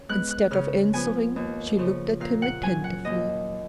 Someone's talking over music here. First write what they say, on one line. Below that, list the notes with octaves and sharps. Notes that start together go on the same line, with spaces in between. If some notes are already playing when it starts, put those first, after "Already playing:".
Instead of answering, she looked at him attentively.
Already playing: C#4
G#3 B3 F#6
F#6
C#3 F6
F3 B3 G#5
D#2
C#3 F3
A#2 F5
F#5
F#3 C#4 G#5
F#5
D#2 D#5